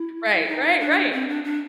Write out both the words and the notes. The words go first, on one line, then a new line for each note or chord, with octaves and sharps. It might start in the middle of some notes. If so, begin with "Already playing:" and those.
Right, right, right,
Already playing: E4
E4
D#4
D4
C4
D4
D4